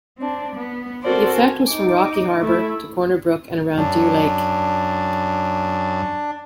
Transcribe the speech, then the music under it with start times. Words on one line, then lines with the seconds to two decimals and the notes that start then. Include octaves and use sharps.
The effect was from Rocky Harbour to Corner Brook and around Deer Lake.
0.18 C4 D4
0.56 B3
1.03 C4 F#4 A4 A#4 C5 D5
1.35 G#5
1.68 D#4 D6
2.40 A3 E4
3.78 F#2 D4